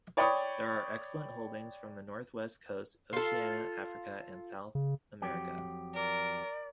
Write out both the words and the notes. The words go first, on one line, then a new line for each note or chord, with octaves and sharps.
There are excellent holdings from the Northwest Coast, Oceania, Africa, and South America.
C#5 D5 G5 B5 C#6 D#6
F4 A4
C#3
F2 F#3 G4
A#4 D5